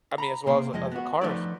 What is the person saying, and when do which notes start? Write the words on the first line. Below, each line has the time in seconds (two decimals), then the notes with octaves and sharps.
I mean, as well as the as the cars
0.18 A#5 B5
0.46 C3 A#3 C5
0.73 F2 F3 G#3 D#5
0.91 B3 F#4
1.21 F3 A3 D#4 B4 D5